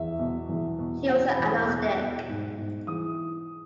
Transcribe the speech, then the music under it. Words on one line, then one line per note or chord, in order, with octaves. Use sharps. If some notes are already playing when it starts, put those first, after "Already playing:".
He was an agnostic.
Already playing: E2 E5
B2
E2
B2
B2 F#5
B5
E2
D#6
B2 F#6
B2
G#2
G#2
E3 D#6